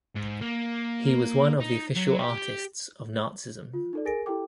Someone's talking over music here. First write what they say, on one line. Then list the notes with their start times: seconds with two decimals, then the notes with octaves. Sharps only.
He was one of the official artists of Nazism.
0.15 G#2
0.41 A#3
1.60 D#4
1.96 F#3
2.19 G4
3.73 F4
3.93 D#4 A4 D5
4.05 G#4 A#4 G#5 A6 A#6 D7
4.26 E4 G4 A4 G5 D6